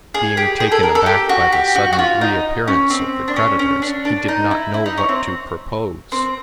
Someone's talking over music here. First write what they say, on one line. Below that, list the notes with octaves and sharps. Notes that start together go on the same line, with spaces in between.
Being taken aback by the sudden reappearance of the creditors, he did not know what to propose.
G#4
G4
G#4
A4
A#4
A4
G4
F#4
G4
F#4
F#4
F4
D#4
C#4
C4
D4
C#4
C#4
D4
D4
D#4
E4
E4
D#4
C#4
C4
C4